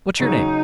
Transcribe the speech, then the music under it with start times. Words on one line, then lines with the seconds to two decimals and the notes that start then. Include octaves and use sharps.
What's your name?'
0.19 C#3 F#3 C#4 D#4